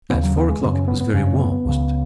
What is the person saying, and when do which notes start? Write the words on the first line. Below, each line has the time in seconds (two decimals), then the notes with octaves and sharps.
"At four o'clock--it was very warm, wasn't it?"
0.10 D#2 C#3 B3
0.23 F#3
0.36 B3
0.50 G#3
0.61 F#2 C#3 B3
0.74 C#4
0.88 B3
1.00 B3
1.13 F#2 C#3 C#4
1.27 C#4
1.40 B3
1.52 B3
1.65 C#2 C#3